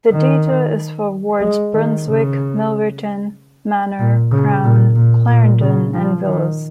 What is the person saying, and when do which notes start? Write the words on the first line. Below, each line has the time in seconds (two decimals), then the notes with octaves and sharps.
The data is for wards "Brunswick", "Milverton", "Manor", "Crown", "Clarendon" and "Willes".
0.12 D#3
1.41 G#3
1.74 D#3
2.05 C#3
3.99 A#2
4.32 C#3
4.64 A#2
4.96 A#2
5.28 A#2
5.61 C#3
5.94 F3
6.25 D#3